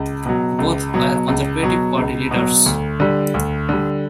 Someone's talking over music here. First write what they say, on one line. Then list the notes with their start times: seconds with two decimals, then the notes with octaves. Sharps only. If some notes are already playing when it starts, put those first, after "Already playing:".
Both were Conservative Party leaders.
Already playing: C#2
0.26 B2 F#3
0.59 C#2
0.94 B2 F#3
1.28 C#2
1.63 B2 F#3
1.97 C#2
2.31 B2 F#3
2.66 D2
3.00 D3 G3
3.34 D2
3.69 D3 G3